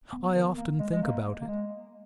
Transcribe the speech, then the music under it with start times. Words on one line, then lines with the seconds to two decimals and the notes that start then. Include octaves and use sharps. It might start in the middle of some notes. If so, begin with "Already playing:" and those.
I often think about it.
0.13 B3
0.35 D#3
0.57 A#3
0.79 G#3
0.92 G#3
1.02 A#3
1.42 A#3
1.47 G#3